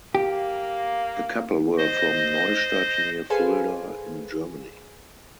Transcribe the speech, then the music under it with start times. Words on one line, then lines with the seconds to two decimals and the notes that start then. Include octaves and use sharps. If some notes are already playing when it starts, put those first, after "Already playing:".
The couple were from Neustadt near Fulda in Germany.
0.15 A#3 G4
1.78 C5 D#5
3.30 G#4 A4 B4 C5 F5 G#5